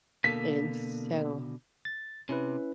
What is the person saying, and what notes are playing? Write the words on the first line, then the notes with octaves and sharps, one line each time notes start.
and so
B2 D3 A#3 A4 B6
A6
C3 C#4 E4 B4